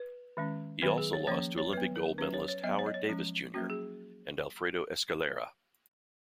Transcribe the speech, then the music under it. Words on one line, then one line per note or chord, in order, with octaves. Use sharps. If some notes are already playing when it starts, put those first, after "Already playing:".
He also lost to Olympic gold medalist Howard Davis Jr.. and Alfredo Escalera.
Already playing: B4
D#3 G#3 C#4
D#3 F#3 B3 B4
G#4
C#5
F3 A#3 C#4 C#5
C#5
F#3 B3 B4
A#4
F#3 C#4 B4
C#5
C#5
F#3 B3 D#5
C#5
D#5
C#5
F3 G#3 C#4
F#3 A#3 C#4 F#4
G#4